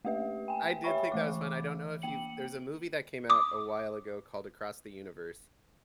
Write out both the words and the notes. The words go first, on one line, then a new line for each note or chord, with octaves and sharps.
I did think that was fun. I don't know if you've there's a movie that came out a while ago called Across the Universe.
A3 A#3 G4 B4 E5
G5 G#5
G4 C#5 E5 B5 C#6
E3 A3 D6
A#3 G5 C#7 F#7
D6 D#6